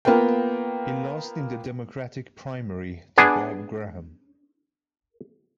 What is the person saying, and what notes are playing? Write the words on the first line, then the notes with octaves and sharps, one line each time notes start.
He lost in the Democratic primary to Bob Graham.
A#3 B3 F4 A#4 G5
B3 D4 G#4